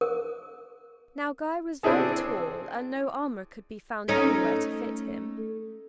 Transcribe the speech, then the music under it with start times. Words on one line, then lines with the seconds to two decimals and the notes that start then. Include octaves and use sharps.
Now Guy was very tall, and no armor could be found anywhere to fit him.
0.01 A#4
1.83 C4 D4 E4 G#4 A4
4.08 A3 C#4 D#4